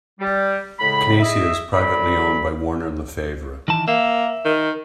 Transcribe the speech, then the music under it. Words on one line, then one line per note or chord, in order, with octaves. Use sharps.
Kanacea is privately owned by Warner Lefevre.
G3
A2 C#3 G#3 B5
E4 G#4 D#5 E5
D2 F#3 D5 B5
D#3 E3 A5
A#3 E5
D#3